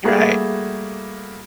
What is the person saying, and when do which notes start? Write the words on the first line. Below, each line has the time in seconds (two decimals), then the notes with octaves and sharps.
You're right.
0.04 G3 A3 A#3 F#4 G#4